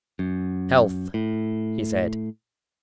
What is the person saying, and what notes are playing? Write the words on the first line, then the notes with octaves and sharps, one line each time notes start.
"Health," he said.
F#2
A2